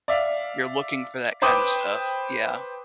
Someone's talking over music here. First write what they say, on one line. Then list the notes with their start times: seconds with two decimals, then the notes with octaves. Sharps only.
you're looking for that kinda stuff. Yeah.
0.08 D5 E5 F5
1.42 B4 C5 G5 D6 D#6